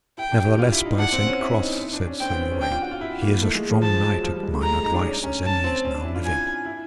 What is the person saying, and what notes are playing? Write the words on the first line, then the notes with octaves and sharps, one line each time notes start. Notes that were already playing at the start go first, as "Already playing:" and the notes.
Nevertheless, by Saint Cross, said Sir Uwaine, he is a strong knight at mine advice as any is now living.
E4 G5
D4
G4
F4
E4
D#4
D4 F#5
C4
C#4
E4
D#4
C4
D4
C#4
C4 G5
B3
C4
C#4
D4 G5
F4
F#4
F4
E4
A#3
A3
G#3
F3
F3 A5
F3
F#3
F3
G3
G#3
A3
G#3 A#5
A3
D#4
D4
C#4
C#4
A5
C4
C#4
D4
E4
F4
G#5
E4